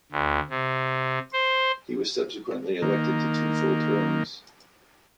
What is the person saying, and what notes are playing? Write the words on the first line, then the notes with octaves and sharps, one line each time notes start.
He was subsequently elected to two full terms.
D2
C3
C5
D#3 A#3